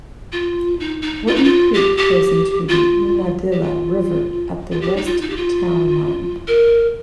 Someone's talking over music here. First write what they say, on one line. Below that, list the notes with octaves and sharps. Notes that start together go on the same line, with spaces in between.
Wharton Creek flows into the Unadilla River at the west town line.
F4
D#4
D#4
F4
D#4
F4
G4
G4
F4
G4
F4
F4
G4
D#4
F4
D#4
G4
F4
A#4